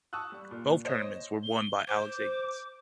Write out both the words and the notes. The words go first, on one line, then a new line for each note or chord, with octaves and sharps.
Both tournaments were won by Alex Higgins.
A5 C#6 D#6 E6 F#6
G3
A#2
C5 C#5 D#5
G7
C5 D6